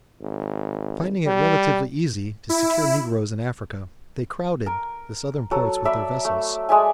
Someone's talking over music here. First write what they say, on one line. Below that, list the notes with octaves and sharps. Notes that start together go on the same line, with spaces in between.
Finding it relatively easy to secure negroes in Africa, they crowded the Southern ports with their vessels.
G#1
G3
E4
A#4
F#3 A4
D5 E5 B5
A3
G#3 D5 E5 G#5